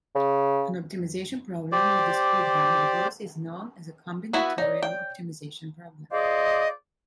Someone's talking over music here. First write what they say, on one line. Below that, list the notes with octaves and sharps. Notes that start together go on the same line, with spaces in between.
An optimization problem with discrete variables is known as a combinatorial optimization problem.
C#3
G4 C5 D5
B3 E4 F#4
D#4 C#5 D5
G5
F4 G#4 C5 D5 D#5